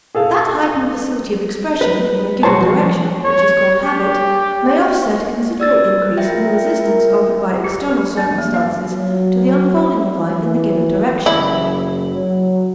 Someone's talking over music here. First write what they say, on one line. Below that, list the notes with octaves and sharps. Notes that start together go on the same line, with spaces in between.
That heightened facility of expression in a given direction which is called habit may offset a considerable increase in the resistance offered by external circumstances to the unfolding of life in the given direction.
G#4 A4 F5
B4
B1 F#4 C5 C#5 A5
F3
C#5
G4
D5 E6 A6
F4 A#4 E5 G5
G4
D4
A#3
F5
F#3
E3
F#1 E4
F#3